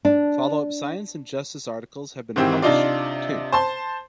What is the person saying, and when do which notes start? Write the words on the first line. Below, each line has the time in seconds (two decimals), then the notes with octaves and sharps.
Followup "Science and Justice" articles have been published, too.
0.05 D4
2.36 G#2 D#3 E3 C4 G4
2.62 C3 D4 D#4 F4 D5
3.52 C5 A5 C6